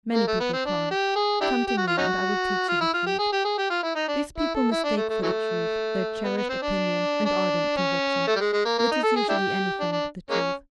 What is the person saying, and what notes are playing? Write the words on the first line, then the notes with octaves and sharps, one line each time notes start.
Many people cry, "Come to me, and I will teach you the truth!" These people mistake for the truth their cherished opinion and ardent conviction, which is usually any thing but the truth.
A#3
A3
B3
C4
D4
G4
G#4
D4 E4 G4
G4
F#4
F4
C#4 D#4 F#4
F4
E4
F4
G4
G#4
G4
G#4
G4
F4
E4
D#4
D4
E4
A4
E4
D4
A3
A3
E3 F#3 A3
B3
B3
C4
D4
D4
C#4
A3
G3
G#3
G#3
A#3
A#3
D#4
A4
G#4
D4 E4 G4
D4
D4
G#3 A#3 C#4